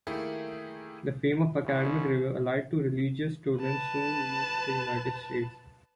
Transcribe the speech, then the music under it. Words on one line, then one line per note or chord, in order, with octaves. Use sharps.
The fame of academic rigor allied to religious tolerance soon reached the United States.
D#3 A3 A#3 E4 G4 G#4
C2
B4 A5